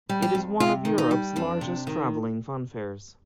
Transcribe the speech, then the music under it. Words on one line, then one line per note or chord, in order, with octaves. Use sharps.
It is one of Europe's largest travelling funfairs.
G3
G4
F2
C3 F4
D#3
D#4
G3
F2 D4
C3
D#3